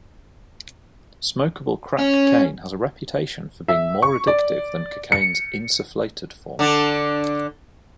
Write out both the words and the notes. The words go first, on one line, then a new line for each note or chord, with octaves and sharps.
Smokeable crack cocaine has a reputation for being more addictive than cocaine's insufflated form.
C#4
E5
C#6
D5
C#7
D3 D4